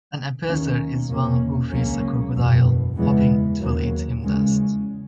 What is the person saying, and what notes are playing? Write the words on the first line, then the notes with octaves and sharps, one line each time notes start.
An appeaser is one who feeds a crocodile – hoping it will eat him last.
D#2 D#3 A#3 C#4
E2 B2 A#3 C#4
C#2 C#3 F#3 A#3 C#4
F#1 E2 B2
E2 C#3 E3 G#3 B3
D#2 C#3 F#3 A#3
E2 C#3 G#3 C#4